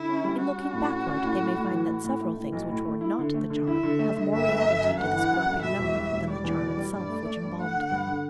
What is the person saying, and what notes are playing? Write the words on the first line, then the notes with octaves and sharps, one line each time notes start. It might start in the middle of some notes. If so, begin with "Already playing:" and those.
In looking backward they may find that several things which were not the charm have more reality to this groping memory than the charm itself which embalmed them.
Already playing: D3 E4
C#4
G3
G3 F#4
C#4
A2
C#4
C#4
A2
A2
A2
E3
A2
A2
A3
A2
B1
A2
A3
E4
D3
A3
D3
E4 E5
D3
A3
D3
G1 E5
G1
G1
F#2
G1 F#5
E3
F#2
G1
B2 E5
E1
G3
E1
G3 D5
E2
B2
G3
G2 D5
A3
A3
G2
A3 F#5
D3
G2
D3